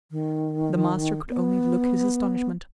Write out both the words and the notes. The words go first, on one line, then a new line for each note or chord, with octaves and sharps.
The master could only look his astonishment.
D#3
B3